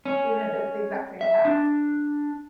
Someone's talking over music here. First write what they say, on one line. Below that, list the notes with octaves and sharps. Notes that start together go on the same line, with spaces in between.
even if it's the exact same task.
C#4
E5
D4